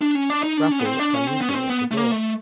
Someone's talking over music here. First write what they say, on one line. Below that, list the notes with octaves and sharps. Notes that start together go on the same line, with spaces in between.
Raffle looked uneasily at the door.
D4
C#4
D4
D#4
D4
C#4
B3
C4
D4
C#4
C4
B3
C#4
C4
B3
A3
A#3
A3